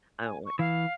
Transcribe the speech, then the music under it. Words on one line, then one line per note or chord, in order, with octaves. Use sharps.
I don't li
G#5
C#6
E3 F5